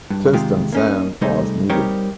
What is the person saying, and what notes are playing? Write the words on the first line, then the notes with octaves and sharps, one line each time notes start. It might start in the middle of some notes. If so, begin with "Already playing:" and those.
Test and sand as needed.
G2
C3 D#3 G#3 F4 G4
A#3 C#4 D#4
C3 G3 A3 D#4 G#4 C5
G3 C4 D#4 G4 A#4 C#5